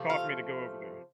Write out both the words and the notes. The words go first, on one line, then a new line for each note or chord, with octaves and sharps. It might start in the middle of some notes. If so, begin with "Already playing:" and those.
cause me to go over there.
Already playing: C3 F3 A3
F4